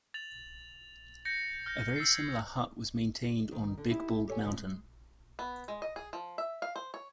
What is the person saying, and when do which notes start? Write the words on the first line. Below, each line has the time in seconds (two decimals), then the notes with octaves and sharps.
A very similar hut was maintained on Big Bald Mountain.
0.14 A6 F7 F#7
1.25 G6 A#6 C#7
1.66 F6 G6 A#6
1.96 E6 A6 C7
2.15 G#6 C7
3.52 D#3
3.78 D3
3.91 D#4 E4 G4
4.28 G4 A4 C#5 D5 G#5
4.46 C#3 F3
4.58 G#3
5.39 B3
5.68 G#3
5.82 D#5
5.96 G#4
6.13 F3
6.38 E5
6.62 F5
6.76 C5
6.94 C#5